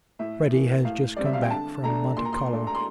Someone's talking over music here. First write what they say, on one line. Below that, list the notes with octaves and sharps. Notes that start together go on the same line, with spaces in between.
Freddy has just come back from Monte Carlo.
A2 E5
E3 A#3
A2 F5
G3 C4 D5
E5
F5
G5
D3 A5
A3 D4 A#5
A#2 C6
A#5
C6
A3 D4
A#5
C6